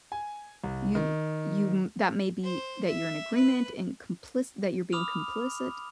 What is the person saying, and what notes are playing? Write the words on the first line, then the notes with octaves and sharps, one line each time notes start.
you you m that may be that you're in agreement and complic that you're being complicit.
G#5
C2
D#3
C5
E5
B4
B5 D6 D#6 F6 F7